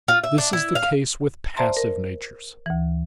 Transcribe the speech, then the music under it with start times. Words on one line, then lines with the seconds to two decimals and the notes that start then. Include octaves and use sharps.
This is the case with passive natures.
0.08 F4
0.24 E5
0.38 D4
0.53 E4
0.75 F5
1.57 C5 D5 E5 A5 A#5 C6
1.77 A#4
2.66 D2 E3